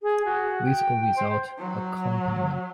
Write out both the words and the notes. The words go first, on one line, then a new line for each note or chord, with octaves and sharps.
With or without accompaniment.
G#4
F#4
G5
G5
C5
F#3